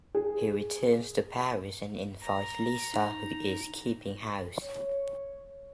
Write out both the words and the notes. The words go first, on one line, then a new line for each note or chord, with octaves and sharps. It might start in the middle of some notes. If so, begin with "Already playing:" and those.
He returns to Paris and invites Lisa who is keeping house.
G#4
A#5
D#4
C#5